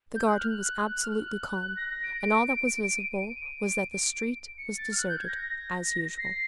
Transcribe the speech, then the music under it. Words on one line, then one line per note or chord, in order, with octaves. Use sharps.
The garden was absolutely calm, and all that was visible was that the street was deserted as usual.
G6
F#6
F6
F#6
F#6
F6
F#6
A#6
A#6
D7
D7
D#7
D#7
D7
D#7
D7
C#7
A6
F6
F#6
G6
G#6
A#6
A#6
C7